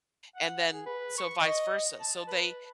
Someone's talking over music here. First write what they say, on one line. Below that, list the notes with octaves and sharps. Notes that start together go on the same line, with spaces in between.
and then, so vice versa, so they
F#5
G#4
B4
C#6
D#5
A5
B4